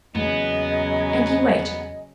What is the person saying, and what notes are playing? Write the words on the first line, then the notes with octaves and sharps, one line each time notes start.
And he waited.
E2 C#3 F#3 A#3 B3 G#4 D#5